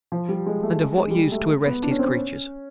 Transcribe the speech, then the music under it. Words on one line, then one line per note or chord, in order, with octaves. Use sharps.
And of what use to arrest his creatures?
F3
G3
G#3
A3
G#3
G#3
G3
G#3
A3
B3
D4
C#4
C4
C#4